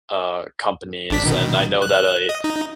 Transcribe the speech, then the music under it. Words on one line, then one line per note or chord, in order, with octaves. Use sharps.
uh, companies and I know that a,
G#1 D4 B6
B2 D#3
F#6
D#5
D#4